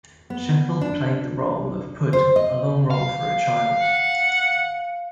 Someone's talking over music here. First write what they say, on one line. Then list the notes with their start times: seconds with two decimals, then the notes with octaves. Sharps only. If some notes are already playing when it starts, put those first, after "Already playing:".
Sheffield played the role of Pud, a long role for a child.
0.30 B3
0.81 D4
2.13 C5
2.36 D#5
2.91 F5
3.80 F#5